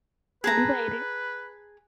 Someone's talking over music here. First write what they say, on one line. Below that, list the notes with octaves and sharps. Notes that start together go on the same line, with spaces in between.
some people hate it.
G#4 B4 A5 A#5